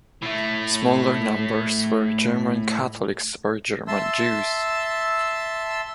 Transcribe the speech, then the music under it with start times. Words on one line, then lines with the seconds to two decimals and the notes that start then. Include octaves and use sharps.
Smaller numbers were German Catholics or German Jews.
0.22 A2 A3
3.88 E5 A5 C6 E6